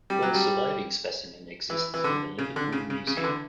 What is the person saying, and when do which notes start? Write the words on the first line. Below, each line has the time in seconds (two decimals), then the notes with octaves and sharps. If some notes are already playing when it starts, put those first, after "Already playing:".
One surviving specimen exists in the Liverpool Museum.
0.10 G3
0.22 F#3
0.34 G3
1.70 E3
1.94 E3
2.04 D3
2.39 C#3
2.56 D3
2.72 C#3
2.90 C#3
3.07 C#3
3.17 E3
3.24 D3